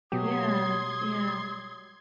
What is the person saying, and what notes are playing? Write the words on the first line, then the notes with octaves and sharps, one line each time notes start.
Yeah, yeah.
B2 F#3 G4 C6 D#6 G#6